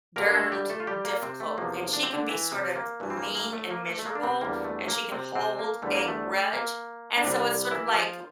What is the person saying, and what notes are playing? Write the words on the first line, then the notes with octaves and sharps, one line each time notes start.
darned difficult, and she can be sort of mean and miserable, and she can hold a grudge, and so it's sort of like,
G2 D3 G3 A#3 A#4
A3 A4
G3 G4
A3 A4
F4
G3 G4
A#3
C3 C4
A3
E2 C3 F3 A#3
D4
C4
D3 D4
E3 E4
C3 C4
A#3
G2 E3 G3
C4
A#3
A#3
A3
A#3
A3
A3
A#3
D4
C3 C4
E2 D3 G3 A#3
A3
A#3
C3 C4
C3 C4
A#3
E2 D3 G3 A3
A#3
A3
A#3
D4
C2 C3 G3 C4
E3 E4
G4
F3 F4